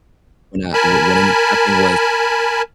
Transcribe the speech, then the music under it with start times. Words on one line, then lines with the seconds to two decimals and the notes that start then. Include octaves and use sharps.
when, uh w what ended up happening was
0.73 A#4 G#5 A5 B5